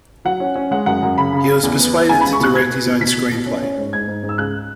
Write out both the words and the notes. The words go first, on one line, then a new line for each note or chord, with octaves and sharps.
He was persuaded to direct his own screenplay.
F#3 F#5
C#4
C#4
G#3 F#5
F#2 F#5
F#2
C#3 B5
C#3
C#3
E2
B3
B3
C#2 G#5
C#2 B5
C#6
B2 F#6
B2 G#6
B3
B2
B2 B6
B2
B2
C#4
C#4
G#2
G#2 G#6
G#2
G#2
E6
C#2 F#6